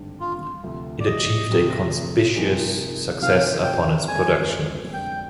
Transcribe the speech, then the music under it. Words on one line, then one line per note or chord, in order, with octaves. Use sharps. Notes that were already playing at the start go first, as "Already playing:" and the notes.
It achieved a conspicuous success upon its production.
Already playing: G#1 G2 D3
F4
D2 C3 F3
D5
D#5
D2 C3 F3
C3 F3 A#3 D#4 G#4
C3 F3 A#3 D#4 G#4 F5
G5
F2 D3 G#3 D4 G#5
F2 D3 G#3 D4 G5